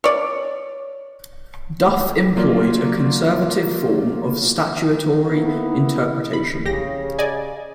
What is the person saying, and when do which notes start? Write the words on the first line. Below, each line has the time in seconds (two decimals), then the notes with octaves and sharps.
Duff employed a conservative form of statutory interpretation.
0.04 C#5 D5
2.36 F#3 A#3 F4 D5
5.29 A#3 B3 E4
6.33 B5
6.65 A1 C#3 G4 G#4 A#6
7.19 D5 D#5 G#5